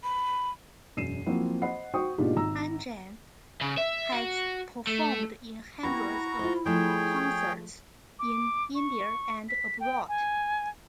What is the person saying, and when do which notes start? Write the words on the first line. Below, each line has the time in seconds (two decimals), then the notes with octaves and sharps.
Anjan has performed in hundreds of concerts in India and abroad.
0.03 B5
0.97 E1 F#2 C7 D#7 E7
1.26 F3 F#3 A#3 C4 E4 F#4
1.62 C5 D#5 F#5 B5 C7
1.94 F#4 C5 G5 C#6 D#6
2.18 G#2 B2 A#3 D4 F4 G4
2.36 G#1 A#5 E6
3.61 C#3
3.78 E5
4.12 F#4
4.87 A3
5.83 A#3 B3 E4 F#4 G4 A#5 C#6
6.39 F4 C5
6.66 F3 G#3 A3 G#4 C#5 G5
8.19 D6
8.75 C#6
9.49 B6
9.80 G5
10.08 G#5